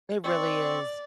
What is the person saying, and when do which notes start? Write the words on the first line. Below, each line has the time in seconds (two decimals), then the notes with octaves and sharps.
It really is.
0.24 C4 D5 C#6